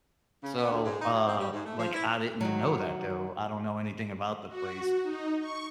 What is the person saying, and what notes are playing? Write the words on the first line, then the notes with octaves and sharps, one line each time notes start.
So, uh, like, I didn't know that, though, I don't know anything about the place.
C#3
B3
D2
G#2
D#4
F#3
C4
G3
G#2
A3
F3
E4
D#3 F#3
F#4
D#4
C#6